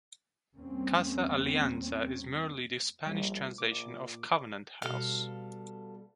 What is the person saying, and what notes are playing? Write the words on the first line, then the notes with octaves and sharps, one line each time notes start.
"Casa Alianza" is merely the Spanish translation of "Covenant House".
E2 G3 A#3 C4 C#4
A#1 G3
A#2 D6
B2 G3 A4 F5